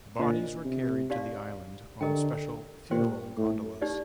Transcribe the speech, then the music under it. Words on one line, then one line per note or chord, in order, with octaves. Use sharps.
Bodies were carried to the island on special funeral gondolas.
A#2 D4 F4 C5 D#5
C3
D#4 G4 D5 F5 C6
D3 G4 A#4 D#5 G5 A#5
A#2 G4 C5 G5 C6
A2
D#4 G4 D5